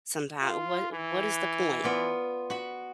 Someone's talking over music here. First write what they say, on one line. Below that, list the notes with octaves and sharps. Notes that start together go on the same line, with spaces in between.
sometimes. What what is the point?
F4
E3
B3 F4 D5
F#4 B5